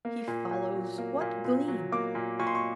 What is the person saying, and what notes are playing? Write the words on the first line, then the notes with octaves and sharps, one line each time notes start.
He follows what gleam?
A#3
A#2
A#2
F#3
A#3
A#2
A#2
F#3
A#3 D6
A#2
A#2 C#6
C6
C#6